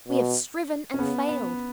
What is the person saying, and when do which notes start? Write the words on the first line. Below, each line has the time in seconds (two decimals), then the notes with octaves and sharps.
We have striven and failed.
0.08 B2
0.94 C#4
0.98 C#3 B3
1.29 B3